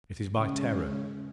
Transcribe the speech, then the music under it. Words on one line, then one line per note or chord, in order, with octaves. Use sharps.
It is by terror.
C#3 G#3 C#4